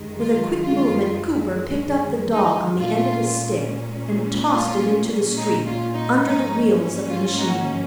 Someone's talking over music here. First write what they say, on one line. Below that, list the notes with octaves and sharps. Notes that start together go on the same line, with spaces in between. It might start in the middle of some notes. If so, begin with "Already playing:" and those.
With a quick movement Cooper picked up the dog on the end of his stick and tossed it into the street, under the wheels of the machine.
Already playing: F#2 D#3 G#3
F4
F4
D#4
A#2 G#3 C#4 F4
F4
D#4
F4
D#4
G#2 F3 A#3 C#4 D#4
F4
D#4 F#4